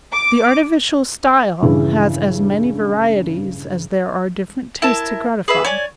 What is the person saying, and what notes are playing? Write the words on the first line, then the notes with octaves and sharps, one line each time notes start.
The artificial style has as many varieties as there are different tastes to gratify.
D6
A#1 G2 C#3 E3 E4
E4 A#4 A5
G#4 B4 E5
C#5 D5 G#5